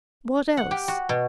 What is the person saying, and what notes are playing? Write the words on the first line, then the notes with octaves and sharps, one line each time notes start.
"What else?"
F#5
G4
F#4
B2